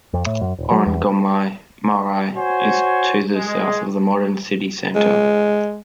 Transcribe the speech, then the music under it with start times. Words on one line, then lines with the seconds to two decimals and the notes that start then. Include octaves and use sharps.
Orongomai Marae is to the south of the modern city centre.
0.13 F2
0.26 A2
0.41 F#2
0.59 D#1
0.71 F#3
0.86 E2
2.36 F#4 C5 C#5 G#5
3.34 G#3
4.95 G#3